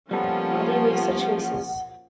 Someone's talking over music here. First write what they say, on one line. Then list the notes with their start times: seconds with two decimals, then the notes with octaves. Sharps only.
Why do you make such faces?
0.11 F3 G3 A#3 B3 C#4 A4 F#5